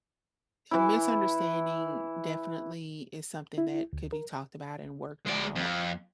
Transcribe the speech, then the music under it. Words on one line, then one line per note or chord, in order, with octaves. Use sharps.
a misunderstanding definitely is something that could be talked about and worked out,
E3 E4
E4
D2
A#4
G#3 D5
F2